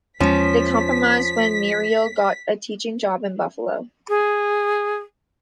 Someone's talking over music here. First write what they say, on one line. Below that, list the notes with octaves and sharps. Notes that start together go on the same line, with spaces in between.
They compromised, when Muriel got a teaching job in Buffalo.
E2 F3 G#3 C#4 B6
G#4